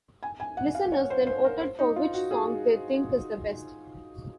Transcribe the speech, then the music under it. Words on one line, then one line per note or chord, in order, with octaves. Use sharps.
Listeners then voted for which song they think is the best.
G#5
G#5
F#5
F5
C#5
C5
C5
A#4
C5
D#4
F4
F#4
G#4